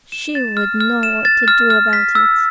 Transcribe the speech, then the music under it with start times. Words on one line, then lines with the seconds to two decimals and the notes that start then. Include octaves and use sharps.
"She would know what to do about it!"
0.12 E7
0.35 A6
0.57 F6
0.81 F6
1.03 E7
1.25 A6
1.48 F6
1.70 F6
1.93 B6
2.15 E6